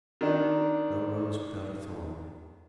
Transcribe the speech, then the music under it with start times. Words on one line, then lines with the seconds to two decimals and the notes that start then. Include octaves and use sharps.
No rose without a thorn.
0.21 D#3 D4